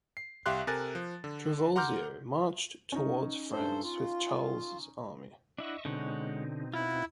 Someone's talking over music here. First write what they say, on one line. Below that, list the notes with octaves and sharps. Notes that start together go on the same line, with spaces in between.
Trivulzio marched toward France with Charles' army.
C7
C2 G4 E5 F5 C6 F#6
C3 A4 A#4 G#5 F#6 A6
F3
D3
F#5 A#5 C6 D6 F6 G6
C#4 D#4
G2 A4 C5
F4
D4 E4 D#5 E5 F#5 C#6
B2 D3 G#3 C4 D#4 C#5 F#5
E4 F4 F#5